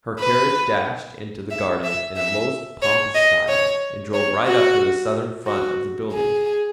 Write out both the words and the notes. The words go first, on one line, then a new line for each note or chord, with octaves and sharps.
Her carriage dashed into the garden in a most pompous style, and drove right up to the southern front of the building.
B4
E5
E5
E5
C#5
D#5
C#5
C#5
F#4
F#4
G#4